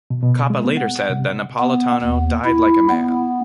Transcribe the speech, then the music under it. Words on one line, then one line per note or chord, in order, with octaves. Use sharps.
Coppa later said that Napolitano "died like a man".
B2
B2
G#3
B3
F#5
C3
B3
D#2
E4
B3